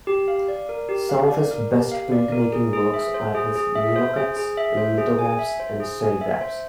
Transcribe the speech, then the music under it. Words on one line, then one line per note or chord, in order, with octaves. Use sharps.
Some of his best printmaking works are his linocuts, lithographs and serigraphs.
G4
F5
D5
A#4
G4
F5
D5
A#4
G4
F5
D5
A#4
G#4
G#4
E5
C5
G#4
G#4
E5
C5
G#4
G#4
E5
C5
G#4
G#5
E5
C5
G#4
G#5
E5
C5